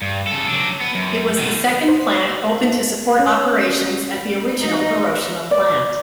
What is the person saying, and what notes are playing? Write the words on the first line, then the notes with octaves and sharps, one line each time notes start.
It was the second plant opened to support operations at the original Hiroshima Plant.
G2
C#3 A4
F#3 D4
B3
F#2
B2 D#3
C5
C#4
D#4
D5